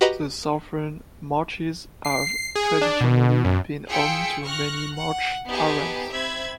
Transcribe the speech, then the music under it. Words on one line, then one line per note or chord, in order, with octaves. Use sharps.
The southern marshes have traditionally been home to many Marsh Arabs.
F#4 G4 B4 D#5 A#5 B5
C7
G#4
D4
B2
F#2
F4 G#4 G5 E6 B6 C#7
C#6 F6 F#6 A#6
F#5
B3 D#4 G4 G#4 A5
C4 E5 B5 G#6